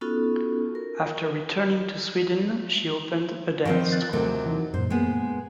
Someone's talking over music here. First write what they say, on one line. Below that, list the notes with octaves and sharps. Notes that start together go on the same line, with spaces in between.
After returning to Sweden, she opened a dance school.
B3 C#4 D#4 F4 F#4 A4
A#4
D#3 F3 C4
F#6 A6
D#2 C3 F#3 A3
E3 D#4
F#2 A#2 C5
G#3 A#3 B3